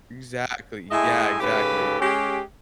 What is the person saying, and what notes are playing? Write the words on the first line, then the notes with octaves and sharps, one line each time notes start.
Exactly, yeah, exactly.
A2 G#3 D#5 E5 G#5
G#2 C#3 G4 A4 B4
G#3 C#4 G4